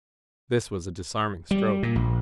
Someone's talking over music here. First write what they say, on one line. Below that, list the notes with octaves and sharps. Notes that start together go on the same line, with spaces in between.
This was a disarming stroke.
G3
A#2
A#1